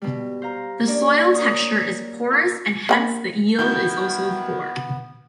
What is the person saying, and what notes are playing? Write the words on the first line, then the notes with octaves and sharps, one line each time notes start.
The soil texture is porous and hence the yield is also poor.
B2 G3
C5 F5 A#5
A#3 C#4 D4 D5
A#4 C#5 D#6
F4 A#4
A#3 G5 B5
D#3 B3 E4 F#4 G6